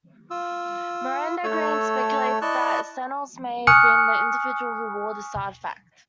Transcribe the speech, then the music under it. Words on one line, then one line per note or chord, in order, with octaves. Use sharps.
Miranda Green speculates that Senilis may have been the individual who wore this artifact.
F4 E6
A3 A4 C#5 E6
E4 D5 D#5 A5 C#6 F#6
G#5 C#6 D#6 F6 F#6 C#7